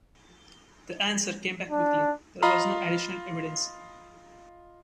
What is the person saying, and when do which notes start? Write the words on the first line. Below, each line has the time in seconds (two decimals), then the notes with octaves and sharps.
The answer came back quickly: There was no additional evidence.
1.70 D4
2.42 F4 D#5 F5 A#5 B5